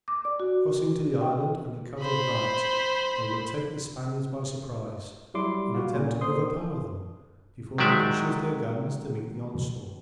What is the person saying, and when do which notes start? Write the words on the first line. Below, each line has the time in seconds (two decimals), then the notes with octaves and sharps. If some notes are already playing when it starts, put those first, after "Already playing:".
Crossing to the island under cover of night, they would take the Spaniards by surprise and attempt to overpower them before they could shift their guns to meet the onslaught.
0.08 D6
0.25 D5
0.40 F#4
1.21 G5
2.00 C5 B5
5.34 F#3 G3 E4 C6 D6
5.75 F4 F#4
5.95 A#2 C#4
6.21 C5 C6 D#6
7.78 D#3 F#3 G#3 D5 E5